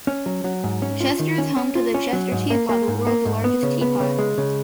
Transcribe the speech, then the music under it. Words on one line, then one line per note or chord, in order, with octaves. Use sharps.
Chester is home to the Chester teapot, the World's Largest Teapot.
C#4
F#3
F#3
G#2
C#4
F4
D#3
C#4
C#4
F4
C#4
F#3
G#2
A#3
A#3
G#2
A#3
G#2
B3
C#3
B3
C#3
G#3
C#3